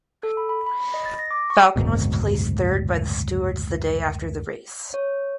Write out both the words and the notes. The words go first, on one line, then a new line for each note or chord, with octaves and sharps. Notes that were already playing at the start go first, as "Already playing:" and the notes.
Falcon was placed third by the stewards the day after the race.
A4
B5
B5
B5
B5
D#5
A6
A#6
D6
C#6
F#1 D2 G#2 B2
C#5